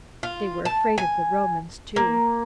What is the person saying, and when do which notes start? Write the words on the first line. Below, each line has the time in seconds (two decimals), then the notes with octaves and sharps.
They were afraid of the Romans too.
0.23 F4
0.65 A5
0.98 G#5
1.96 A#3